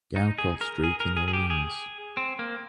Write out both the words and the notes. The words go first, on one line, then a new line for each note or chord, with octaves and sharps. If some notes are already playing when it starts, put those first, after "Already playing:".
Gaucourt street in Orleans.
D#4
G#4
A#4
G#4
A#4
G#4
G#4
G4
G#4
C4
A#3